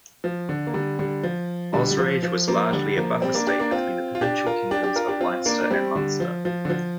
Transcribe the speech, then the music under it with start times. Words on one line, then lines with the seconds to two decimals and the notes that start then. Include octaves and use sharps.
Osraige was largely a buffer state between the provincial kingdoms of Leinster and Munster.
0.24 F3
0.49 D3
0.67 A#3
0.74 D3 G3
0.99 D3 G3
1.23 F3
1.73 D3 G3
1.91 G3
1.98 F3
2.23 F3
2.48 F3 A#3
2.73 D3 G3
2.97 F3 A#3
3.22 G3 C4
3.35 A#3 D4
3.47 D4 G4
3.59 A#3 D4
3.71 C4 F4
4.15 F4
4.21 D4 G4
4.46 F4 A#4
4.71 D4 G4
4.83 D4 G4
4.96 F4 A#4
5.08 D4 G4
5.21 C4 F4
5.46 A#3 D4
5.61 D4
5.71 G3 C4
5.95 D3 G3
6.20 F3
6.45 F3
6.65 D3
6.70 F3